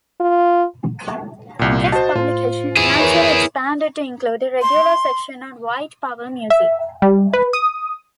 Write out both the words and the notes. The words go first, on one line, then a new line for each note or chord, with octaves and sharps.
This publication eventually expanded to include a regular section on white power music.
F4
C2 A#2
F#4 C5 D#5 A5
A2 F4 C5
E4 G#4
A#4 B4 C#5
C6
E5
G3
B4
D#6